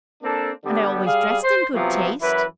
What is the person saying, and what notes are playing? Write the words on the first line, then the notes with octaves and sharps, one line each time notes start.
"And I always dressed in good taste."
A#3 C4 D4 A4
D3 G3 B3 G4
G3 G#4 F5
C5
C3 F3 F#3 B3
F#2 E3 E4 B4